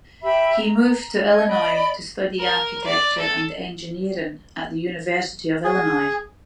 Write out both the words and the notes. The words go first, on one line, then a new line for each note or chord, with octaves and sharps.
He moved to Illinois to study architecture and engineering at the University of Illinois.
G4 E5 B5
A#5
C#5 D#5 G#6
D5 D#5 B5
A#4
D5
A4
G#4